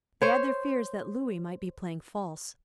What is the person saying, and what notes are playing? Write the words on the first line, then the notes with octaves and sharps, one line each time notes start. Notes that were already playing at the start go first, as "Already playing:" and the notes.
They had their fears that Lewis might be playing false.
C5 C#5